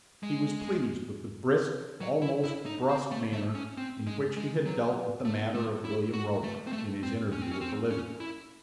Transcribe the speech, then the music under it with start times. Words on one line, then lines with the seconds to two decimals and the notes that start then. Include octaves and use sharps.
He was pleased with the brisk, almost brusque, manner in which he had dealt with the matter of William Roper, in his interview with Olivia.
0.23 G#3
2.01 F#3
2.22 E4
2.44 E4
2.66 D#4
2.89 C4
3.11 A3
3.33 A3
3.55 C#4
3.78 C4
4.07 G#3
4.37 G#3
4.66 F#3
5.25 A3
5.54 A3
5.85 E4
6.13 F#4
6.44 A3
6.67 C4
6.72 A3
7.03 C4
7.32 C#4
7.42 C4
7.51 C#4
7.61 C4
7.91 C#4
8.20 E4